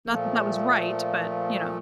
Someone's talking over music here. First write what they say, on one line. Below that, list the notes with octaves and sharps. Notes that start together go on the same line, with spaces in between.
Not that that was right, but you know.
A#2 F3 A3